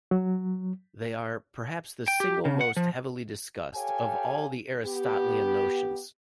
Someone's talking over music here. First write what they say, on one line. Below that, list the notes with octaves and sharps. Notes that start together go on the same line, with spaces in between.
They are "perhaps the single most heavily discussed of all Aristotelian notions".
F#3
G5
G4
C#3
F#5
F3
G4 A4 C#5 F5 G5 G#5
B3 G4